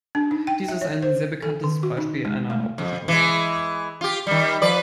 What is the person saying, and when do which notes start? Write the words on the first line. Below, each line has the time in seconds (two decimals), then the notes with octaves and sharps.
Dies ist ein sehr bekanntes Beispiel einer optischen Täuschung.
0.15 D4
0.31 D#4
0.47 G5
0.68 E5
0.81 C#5
1.02 C5
1.42 A4
1.64 D#3
1.83 F#4
1.97 D#4
2.25 G#3
2.50 A3
2.78 F2
3.08 E3 G#3
4.01 F4 G4
4.27 D#3 G3
4.62 F3 B4 D5